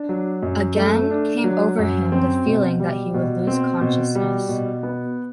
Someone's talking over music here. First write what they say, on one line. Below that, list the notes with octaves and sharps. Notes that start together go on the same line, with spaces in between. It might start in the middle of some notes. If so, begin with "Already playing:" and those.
Again came over him the feeling that he would lose consciousness.
Already playing: D4
F#3
F#2
A3
D4
F#3
F#2
C4
B2
G3
B2
C4
B2
G3
B2
B3